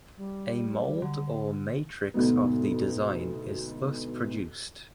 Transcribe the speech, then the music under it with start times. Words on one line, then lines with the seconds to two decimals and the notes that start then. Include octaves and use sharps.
A mould or matrix of the design is thus produced.
0.17 G3
1.02 D3
2.14 D2 G#2 B2 B3